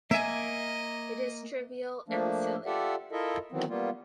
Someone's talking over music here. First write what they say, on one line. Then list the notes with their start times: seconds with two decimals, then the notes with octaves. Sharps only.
It is trivial and silly.
0.11 A#3 D#5 E5 G#5
2.08 F3 A3 A#3 D4
2.66 F4 G4 A4 D5 E5 F#5
3.12 E4 F4 A4 A#4 D#5 E5
3.52 D#3 E3 F#3 B3 C4
3.69 G3 A#3 B3 F4